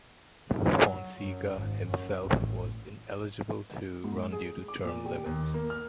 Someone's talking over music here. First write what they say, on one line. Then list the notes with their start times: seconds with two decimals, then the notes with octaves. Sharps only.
Fonseca himself was ineligible to run due to term limits.
0.72 F#3
1.19 F#2
1.54 G#1
1.88 F#2
2.25 A1
4.04 G#2
4.32 G#4
4.68 D6
4.84 A#2
5.06 G4
5.26 D#2
5.54 A#3
5.70 F6